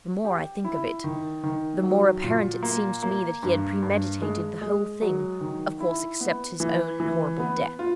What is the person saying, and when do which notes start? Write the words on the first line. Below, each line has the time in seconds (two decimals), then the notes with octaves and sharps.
The more I think of it, the more apparent it seems to me that he had premeditated the whole thing--of course, except his own horrible death.
0.25 G4
0.65 E4
1.04 D#3
1.44 D#3
1.83 F#3
2.24 A#2
2.63 A#3
3.03 A#3
3.43 G2
3.82 G2
4.22 G#3
4.61 G#3
5.02 F#3
5.41 D#3
5.80 E4
6.21 B3
6.60 E3
7.00 E3
7.39 B3
7.79 F4